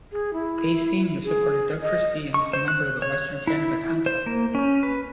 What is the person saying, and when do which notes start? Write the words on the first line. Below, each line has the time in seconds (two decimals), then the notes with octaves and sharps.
Day, Senior supported Doug Christie and was a member of the Western Canada Concept.
0.12 G#4
0.33 E4
1.24 G#4
1.83 D#5
2.34 C#6
2.53 C5
2.68 F#6
3.02 C#5
3.47 E4
4.06 C5
4.26 A#3
4.55 C#4
4.83 B4